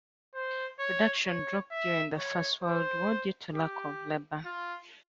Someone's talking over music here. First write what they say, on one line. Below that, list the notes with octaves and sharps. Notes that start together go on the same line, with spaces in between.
Production dropped during the first world war due to lack of labour.
C5
C#5
C#5
E5
C#5
C5
G4
F4